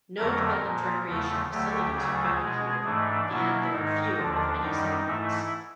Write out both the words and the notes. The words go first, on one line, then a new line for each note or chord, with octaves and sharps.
No developed recreation facilities are found here, and there are few, if any, signs.
F2 D3 F#3 A3 A#4
A#2 F3 A#3
E2 C#3 F3 A3
D2 D3 F#3 A3 G4
D2 C#3 F#3 A3 G#4
B2 G#3 G#4
G#2 E3 A3 D4
B2 F#3 A#3 E4
G#2 D#3 G#3 D#4
D#2 D3 F3 D4
F#2 D#3 G3 D#4
G#2 E3 A3 E4